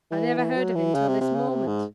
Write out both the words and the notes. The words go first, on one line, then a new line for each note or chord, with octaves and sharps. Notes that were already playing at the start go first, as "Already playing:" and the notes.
'I never heard of him till this moment.
E3
E3
F#3
E3
C#3
C3
C3
C#3
C3
G#2